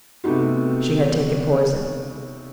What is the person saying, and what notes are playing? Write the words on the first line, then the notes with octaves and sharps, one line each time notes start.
She had taken poison.
C3 A3 B3 D#4 F#4